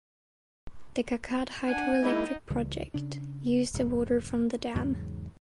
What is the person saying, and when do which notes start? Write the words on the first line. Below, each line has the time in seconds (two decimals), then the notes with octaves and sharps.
The Kakkad Hydroelectric Project use the water from the dam.
1.67 D4 F#5 G#5
2.01 G#3 A#3 D#4 E4
2.50 C#2 C#3 E3 G3
2.94 C#3 D4
3.74 F1 G#2 C3
4.75 E2 G#2 C#3 F#3